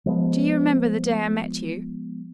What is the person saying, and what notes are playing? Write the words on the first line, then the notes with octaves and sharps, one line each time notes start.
Do you remember the day I met you?
F3 G#3 B3